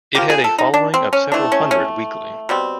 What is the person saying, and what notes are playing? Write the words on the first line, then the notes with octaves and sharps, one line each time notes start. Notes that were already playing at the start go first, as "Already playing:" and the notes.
It had a following of several Hundred weekly.
F3 A#3 G4
G#4
A4
D#4
D4
C4
C#4
E3 A3 C4 D4
C#4
C#4
B2 G3 C4